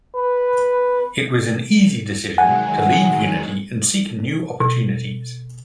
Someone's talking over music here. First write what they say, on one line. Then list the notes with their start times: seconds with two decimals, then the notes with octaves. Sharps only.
It was an easy decision to leave Unity and seek new opportunities.
0.15 B4
2.38 D#3 F#3 G#3 F#5 G#5
4.60 B2